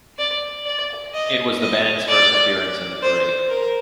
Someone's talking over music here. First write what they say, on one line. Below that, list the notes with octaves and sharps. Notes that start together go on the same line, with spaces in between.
It was the band's first appearance in the Parade.
D5
D5
D#5
D#5
D5
C5
A#4